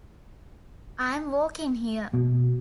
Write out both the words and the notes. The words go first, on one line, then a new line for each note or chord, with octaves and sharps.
I'm walking here!
B2